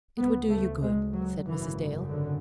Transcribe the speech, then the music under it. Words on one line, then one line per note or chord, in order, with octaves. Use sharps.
"It would do you good," said Mrs. Dale.
D2 C#3 B3
A3
G#3
F#3
G#1 F#2 C#3 E3
D3